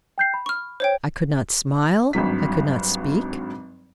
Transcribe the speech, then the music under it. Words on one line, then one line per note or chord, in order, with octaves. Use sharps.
I could not smile, I could not speak.
G5 G6 C7
B5
C#6 F6
C5 C#5 G5
G#1 G2 F#3 B6